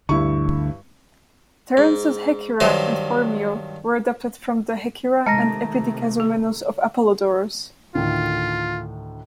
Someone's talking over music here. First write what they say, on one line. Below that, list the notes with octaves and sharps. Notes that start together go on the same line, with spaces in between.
Terence's "Hecyra" and "Phormio" were adapted from the "Hekyra" and "Epidikazomenos" of Apollodorus.
D2 G2 D3 E4 C#6
G#2
G2 D#3 F#3 C5 D#5
C3 D#3 G#3 A3 A5 A#5 A#6
A4
D2 A2 D#3 F4